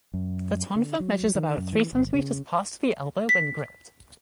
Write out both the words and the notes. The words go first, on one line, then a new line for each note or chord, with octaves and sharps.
The tonfa measures about three centimeters past the elbow when gripped.
F#2
D3
F#3
D#3
F#2
E3
G1
C#3
B6